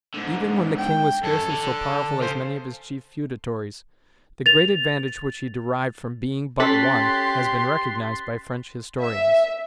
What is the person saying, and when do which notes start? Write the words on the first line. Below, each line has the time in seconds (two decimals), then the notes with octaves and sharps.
Even when the king was scarcely so powerful as many of his chief feudatories, the great advantage which he derived from being but one has been recognized by French historians.
0.14 G#2 D3
0.78 G5
1.23 F#2 C#4 A4
1.51 D3
2.22 C#3 C5
4.46 A6 F7
6.60 C#4 G4 A4 C6 F#6 A6 B6
9.00 E5